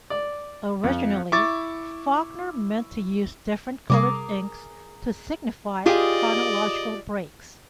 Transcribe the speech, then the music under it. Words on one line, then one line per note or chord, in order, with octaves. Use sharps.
Originally Faulkner meant to use different colored inks to signify chronological breaks.
D5
F2
E4 C#6 D6 A6
C3 G3 G#4 A#4 D6
F4 G4 G#4 D5 D#5